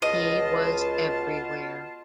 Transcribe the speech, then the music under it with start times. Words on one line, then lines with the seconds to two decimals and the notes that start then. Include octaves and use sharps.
He was everywhere!
0.02 C#2 B2 F4 D#5 A5